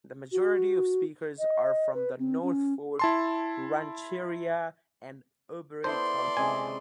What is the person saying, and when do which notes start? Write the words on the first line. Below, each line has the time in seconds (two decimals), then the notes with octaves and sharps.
The majority of speakers are from the Northfork Rancheria and Auberry, California.
0.32 F#4
1.39 D#5
1.94 B4
2.19 C4
2.42 C#4
2.99 E4 A5 C6
5.84 B3 E4 A4 C5 D5 C6
6.37 C3 G#3 C#4 G#5